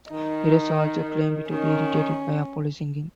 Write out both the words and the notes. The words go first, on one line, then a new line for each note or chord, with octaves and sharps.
Eros also claimed to be irritated by Apollo's singing.
D#3 D#4
D#3 C#4